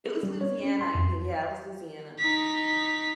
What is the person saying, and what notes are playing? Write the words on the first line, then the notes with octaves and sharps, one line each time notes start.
It was Louisiana, I think yeah, it was Louisiana.
G3
C#5
C#4
C6
F2
D#4 B6